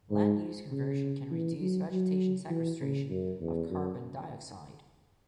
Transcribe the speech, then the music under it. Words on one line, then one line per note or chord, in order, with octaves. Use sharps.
Land use conversion can reduce vegetation sequestration of carbon dioxide.
G#2
C#3
E3
F#3
F#3
E3
C#3
F#2
E2
F#2